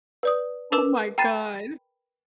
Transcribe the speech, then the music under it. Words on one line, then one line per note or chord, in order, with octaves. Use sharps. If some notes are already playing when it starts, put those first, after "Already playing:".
Oh my god.
B4 D5 D#6
A#4 B4 D6 E6 E7 F#7
G5 A#5 B5 A6 C7 D#7